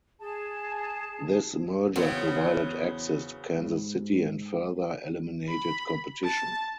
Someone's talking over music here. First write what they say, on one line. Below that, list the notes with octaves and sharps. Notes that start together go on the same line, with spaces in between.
This merger provided access to Kansas City and further eliminated competition.
G#4 A5
E2 C#3 F#3 B3 C4
G#2
B5
A5